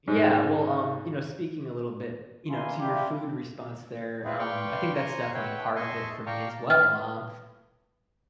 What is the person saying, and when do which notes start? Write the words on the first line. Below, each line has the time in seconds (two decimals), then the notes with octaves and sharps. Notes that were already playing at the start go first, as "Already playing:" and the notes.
Yeah. Well, um, you know, speaking a little bit, you know, to your food response there, um, I think that's definitely part of it for me as well, um,
0.08 G#2
2.49 A#3 E4 G#5 C6
2.79 D4 E4 F4 G4
4.25 C4 E4 F4 G#4 B4
4.39 B4 D5 F5 G5 C6 C#6
4.94 G#5 A#5 C6 C#6
5.34 B4 C#5 E5 F#5 G5
5.76 D#5 E5 G#5 A5 C6 C#6
6.26 D5 F5 G5 A5 A#5 C#6
6.70 B4 F6